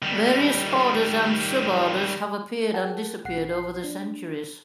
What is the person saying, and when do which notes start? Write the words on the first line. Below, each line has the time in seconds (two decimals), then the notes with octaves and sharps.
Various orders and suborders have appeared and disappeared over the centuries.
0.02 D#3 G3
2.74 G#4 A#4 F#5 G5 A5
3.25 A#1 F#5 C7
3.84 D4